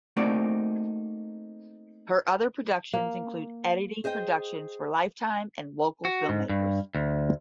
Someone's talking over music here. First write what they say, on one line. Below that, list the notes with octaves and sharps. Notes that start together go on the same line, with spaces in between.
Her other productions include editing productions for Lifetime and local filmmakers.
A3 A#3 C4 D#4 F#4 D5
A#3
G#4 C5 D#5 F5 G5
F#4
G#2
G2
D2